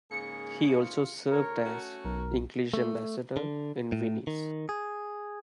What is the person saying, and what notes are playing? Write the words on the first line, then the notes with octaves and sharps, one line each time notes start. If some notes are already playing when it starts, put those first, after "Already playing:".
He also served as English ambassador in Venice.
G#2 C#3 A#3 G#4 C#7
F4
D2 A#4 C#5
A3 C#4 F#4
B1 A#4
A3
D3
A2
D#3
G#4